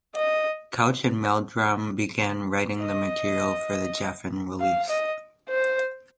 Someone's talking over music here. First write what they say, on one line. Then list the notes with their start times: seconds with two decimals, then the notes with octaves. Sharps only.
Couch and Meldrum began writing the material for the Gefffen release.
0.15 D#5
2.82 D#5
4.60 F5
4.89 D#5
5.49 C5